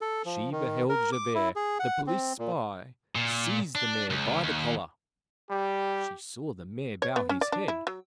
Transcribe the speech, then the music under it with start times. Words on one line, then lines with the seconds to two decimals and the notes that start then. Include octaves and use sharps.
She beheld Javert, the police spy, seize the mayor by the collar; she saw the mayor bow his head.
0.01 A4
0.25 F3
0.51 D#3
0.89 A#4
1.12 D6
1.35 E4
1.56 G#4
1.80 F#5
2.07 C4
2.39 A#2
3.15 A#2
3.75 D4
4.10 C#2
4.43 D#2
5.51 G3 G4
7.02 C#5
7.16 B3
7.29 C#4
7.41 D5
7.52 D4
7.68 E4
7.87 F#3